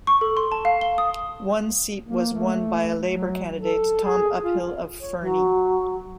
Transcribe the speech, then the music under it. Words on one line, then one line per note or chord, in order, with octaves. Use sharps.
One seat was won by a Labour candidate, Tom Uphill of Fernie.
C#6
A4
C6
A5
F5
G7
D#6
A#3
A3
F#3
A4
G#4
F4
C#5
F#3